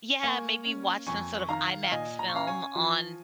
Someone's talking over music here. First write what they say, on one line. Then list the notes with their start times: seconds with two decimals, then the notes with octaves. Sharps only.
yeah, maybe watch some sort of IMAX film on
0.23 A#3 G#5 C#6
0.65 C#4
1.07 F2 G#5 C#6
1.39 C#6
1.49 D#3 F5 A#5
1.84 F5
1.91 A#2 D#5 G#5
2.19 A#5
2.28 C#6
2.33 C#4 F5 A#5
2.47 G#5 C#6
2.76 F3